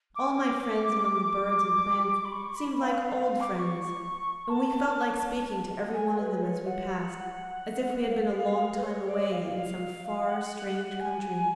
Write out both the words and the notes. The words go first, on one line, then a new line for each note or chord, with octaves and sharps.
All my friends among the birds and plants seemed like OLD friends, and we felt like speaking to every one of them as we passed, as if we had been a long time away in some far, strange country.
D6
B5
C#6
B5
F5
F5
F5
D6
C#6
A5
F#5
G#5
B4
C#5
F#5
F5
B4
C#5
D5
F5
F5
F#5
G#5
G#5